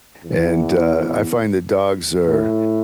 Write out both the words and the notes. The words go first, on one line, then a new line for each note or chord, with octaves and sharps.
and, uh, I find that dogs are
E2
A2